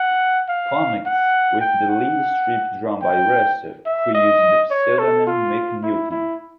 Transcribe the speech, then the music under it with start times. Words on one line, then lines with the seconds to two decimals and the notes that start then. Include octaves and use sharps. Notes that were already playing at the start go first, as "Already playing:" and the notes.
Comics, with the lead strip drawn by Russell, who used the pseudonym 'Mick Newton'.
Already playing: F#5
0.49 F5
1.06 F#5
1.61 G5
1.89 F#5
3.02 G5
3.86 E5
4.15 D#5
4.71 C#5
4.99 A4
5.27 F4
5.83 E4
6.11 E4